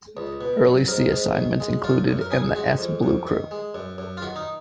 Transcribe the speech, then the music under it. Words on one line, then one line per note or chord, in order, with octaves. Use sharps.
Early sea assignments included and the s blue crew.
C#2
B2
F#3
G#2 A#4
G#2
D#3
G#3
F#2 F4
F#2
A#4
C#3 G#4
G#3 F#4
F2
F2
D#3
G#3
F#2
F#2
F4
D#3 F#4
D#4